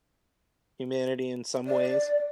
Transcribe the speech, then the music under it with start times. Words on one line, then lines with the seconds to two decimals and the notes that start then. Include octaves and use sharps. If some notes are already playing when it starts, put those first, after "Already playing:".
humanity in some ways,
1.67 D5